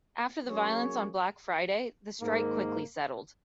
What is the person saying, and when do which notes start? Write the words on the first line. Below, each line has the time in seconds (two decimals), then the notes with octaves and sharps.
After the violence on Black Friday, the strike quickly settled.
0.46 F#3 A#3 C#4 G#4 C#5
2.20 G#2 D#3 A#3